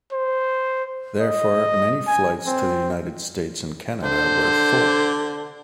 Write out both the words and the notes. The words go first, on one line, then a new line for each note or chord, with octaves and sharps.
Therefore, many flights to the United States and Canada were full.
C5
D#5
G#5
C4
D3 C5